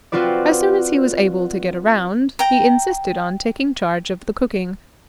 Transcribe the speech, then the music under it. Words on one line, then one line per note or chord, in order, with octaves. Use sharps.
As soon as he was able to get around he insisted on taking charge of the cooking.
C4 F4 F#4 B4 D5
G5 A#5